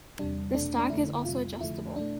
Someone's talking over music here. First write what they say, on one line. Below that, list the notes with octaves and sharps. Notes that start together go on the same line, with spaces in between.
The stock is also adjustable.
E2 C3 G3 D4
E2 B2 A3 D4
D4
F2 D3 A3 E4
F2 C3 G3 F4
F2 D3 F3 A3 E4
B2 A3 D4